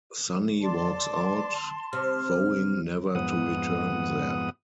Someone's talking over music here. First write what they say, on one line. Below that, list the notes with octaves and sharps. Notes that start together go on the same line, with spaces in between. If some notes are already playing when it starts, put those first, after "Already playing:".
Sonny walks out, vowing never to return there.
D5 A5 C6
C3 F6
F2 G#2 B3 F#5 D#6